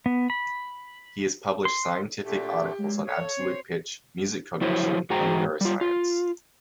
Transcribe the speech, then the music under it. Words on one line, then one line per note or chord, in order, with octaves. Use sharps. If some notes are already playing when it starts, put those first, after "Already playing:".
He has published scientific articles on absolute pitch, music cognition, and neuroscience.
B3
B5
C6
A#2 D3 A3 G4
A#2 F#3 G#3
A4 C#5 F5
C4 C5
F3 F#3 E4 C5 C#5
G#2 F#4 G#4 C5 G5 A#5
G3 F4
F4